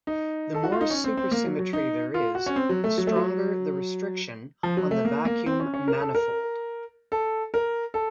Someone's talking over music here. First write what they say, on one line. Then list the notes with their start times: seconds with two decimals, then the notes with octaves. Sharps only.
The more supersymmetry there is, the stronger the restriction on the vacuum manifold.
0.07 D#4
0.54 A4
0.64 F#4
0.72 F4
0.81 D#4
0.90 C#4
1.04 C4
1.17 C4
1.31 A#3
1.46 F#3
1.59 F#3
1.73 D#4
2.14 F4
2.35 F#4
2.46 C#4
2.56 C4
2.69 F#3
2.84 A3
2.98 F#3
3.07 A3
3.16 F#3
4.63 F3
4.77 F#3
4.91 A3
5.05 A#3
5.25 A#3
5.46 C4
5.60 C#4
5.74 C#4
5.88 A#4
6.01 A4
6.15 A#4
7.12 A4
7.54 A#4
7.94 A4